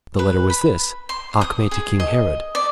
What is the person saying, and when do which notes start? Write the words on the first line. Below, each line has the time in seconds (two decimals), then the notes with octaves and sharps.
The letter was this: 'Acme to king Herod.
0.19 B4
0.50 B5
1.09 C6
1.41 D#6
1.71 G#4
2.00 D#5
2.55 D5